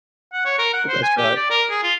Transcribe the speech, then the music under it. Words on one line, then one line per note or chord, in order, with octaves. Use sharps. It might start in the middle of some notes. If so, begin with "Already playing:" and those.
but that's right.
F#5
C#5
A#4
F#5
C5
G#5
G4
D5
A#4
G#4
F4